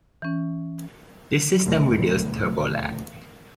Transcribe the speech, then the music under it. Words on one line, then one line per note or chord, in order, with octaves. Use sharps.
This system reduced turbo lag.
E3 C#4
D#1 D2 B2 A3